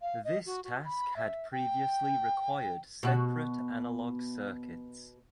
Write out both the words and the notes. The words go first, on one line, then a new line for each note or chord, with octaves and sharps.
This task had previously required separate analog circuits.
F5
D#5
F#4
F#4
B5
E5
G5
B2 F#4